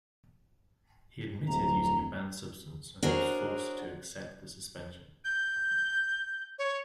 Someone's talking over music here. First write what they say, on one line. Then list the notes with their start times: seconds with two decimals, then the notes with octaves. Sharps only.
He admitted using a banned substance and was forced to accept the suspension.
1.47 D1 A#5
3.03 D4 F#4 G#4 A#4 C5 C#5
5.25 G6
6.59 C#5